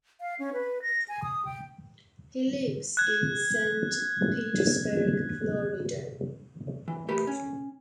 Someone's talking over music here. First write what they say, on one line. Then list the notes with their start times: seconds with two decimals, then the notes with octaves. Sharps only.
He lives in Saint Petersburg, Florida.
0.21 F5
0.39 C#4
0.53 B4
0.82 A#6
1.09 G#5
1.23 D#6
1.45 G5
2.97 F#6 G#6
6.88 E3
7.09 A3 G4 A#4 B4
7.27 C#4